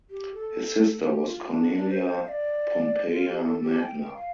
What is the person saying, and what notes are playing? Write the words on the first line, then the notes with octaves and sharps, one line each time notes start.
His sister was Cornelia Pompeia Magna.
G4
A4
A4
G4
F4
D4
D4
C5
C5
F5
D5
F4
G4
A4
G4
A5
G5
F5